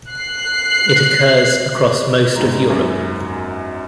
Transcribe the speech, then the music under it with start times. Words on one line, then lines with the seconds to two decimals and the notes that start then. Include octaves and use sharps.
It occurs across most of Europe.
0.11 F#6 C7
2.36 E2 G#2 A#5
2.70 F#2